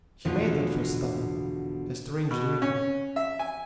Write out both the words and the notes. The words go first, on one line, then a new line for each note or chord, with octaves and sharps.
He made that first stumble, a strange dream.
E2 B2 D3 F3
B2
C#4
E5
G#5